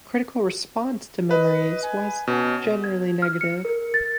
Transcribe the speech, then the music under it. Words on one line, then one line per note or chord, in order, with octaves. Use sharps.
Critical response to "Memories" was generally negative.
B4 D#5
G#5
B2 C#4
G#6
F6
C#7
A#4
A6